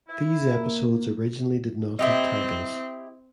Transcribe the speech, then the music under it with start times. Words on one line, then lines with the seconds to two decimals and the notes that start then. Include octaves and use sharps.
These episodes originally did not have titles.
0.08 E4
0.55 A#3 A#4
1.99 C4 E4 G4 D#5